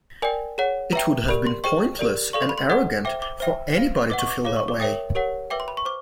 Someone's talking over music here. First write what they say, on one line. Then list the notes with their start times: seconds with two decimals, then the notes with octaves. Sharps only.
It would have been pointless and arrogant for anybody to feel that way.
0.22 A#4 D5 G5 G#5
0.58 G#4 C#5 F#5
0.93 B4 E5 G5 A#5
1.28 G4 A#4 D5 B5
1.47 C6
1.64 G#4 C5 D#5 G5 C#6
1.99 G4 A#4 D5
2.33 A4 D5 F5 C#6
2.42 C6
2.49 B5
2.58 C6
2.69 A4 C5 D#5 F#5
3.05 C5 E5 G5 D6
3.22 D6
3.40 C5 E5 G5
3.75 C5 F5
4.10 B4 D#5 F#5 D6
4.19 C#6
4.28 D6
4.45 G#4 C#5 F5 D6
4.56 C#6
4.68 D6
4.80 A#4 C#5 E5 G5 D#6
5.15 G4 A#4 C#5 F#5
5.50 B4 E5 G5 D6
5.60 C6
5.68 B5
5.77 C#6
5.85 C5 D6